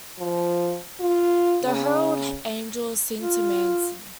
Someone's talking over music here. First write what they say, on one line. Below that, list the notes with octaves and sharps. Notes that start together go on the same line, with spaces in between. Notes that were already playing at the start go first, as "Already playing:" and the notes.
The Herald Angels Sing to Manson.
F3
F4
C#3
F4